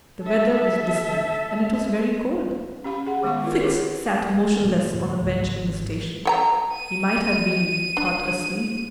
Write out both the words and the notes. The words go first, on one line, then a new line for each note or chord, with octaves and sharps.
The weather was dismal, and it was very cold. Fix sat motionless on a bench in the station; he might have been thought asleep.
A4 E5
C#4 G4 F5 B5
G#4 F#5
D#3 G#3 B3 F#5 C#6
E4 F4 A#4
D#3 D#4 G4 G#4 B4 C#5
A#2 F3 A3
G#2 D3 E3
C#2 C#3 A3
G#1 G#2
A4 G5 A#5
D#7
D4